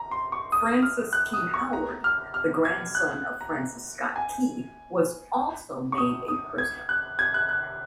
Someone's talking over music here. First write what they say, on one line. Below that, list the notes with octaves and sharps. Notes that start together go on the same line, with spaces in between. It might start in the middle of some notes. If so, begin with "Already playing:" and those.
Francis Key Howard, the grandson of Francis Scott Key was also made a prisoner.
Already playing: A#5
C6
C#6
D#6
F6
F#6
D#6
C#6
A#5
F6
F6
G#6
F#6
A#5
G#5
C#6
D#6
D#6
G#6
F#6
G#6
F#6
F#6